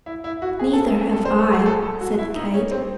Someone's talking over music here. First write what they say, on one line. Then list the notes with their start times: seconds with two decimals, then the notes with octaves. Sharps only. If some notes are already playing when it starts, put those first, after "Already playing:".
"Neither have I," said Kate.
0.06 E4
0.24 E4
0.42 F#4
0.59 G#4
0.73 A4
0.86 G#4
1.12 A4
1.25 C5
1.39 A4
1.53 F#4
1.59 G#4
1.66 A4
1.83 A4
2.01 F#4
2.18 E4
2.36 D#4
2.54 C#4
2.72 C4